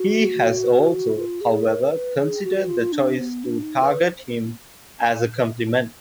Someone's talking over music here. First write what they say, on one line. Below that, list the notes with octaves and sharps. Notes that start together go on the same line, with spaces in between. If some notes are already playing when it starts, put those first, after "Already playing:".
He has also, however, considered the choice to target him as a compliment.
Already playing: F#4
F4
G#4
A#4
B4
G#4
F#4
F4
D4
B3
D4
D#4
B4